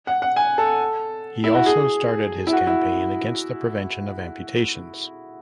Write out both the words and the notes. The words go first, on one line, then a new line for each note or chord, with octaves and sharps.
He also started his campaign against the prevention of amputations.
F#5
F#5
G#5
A4
E4
F#4
G#4
E4
F#4
E4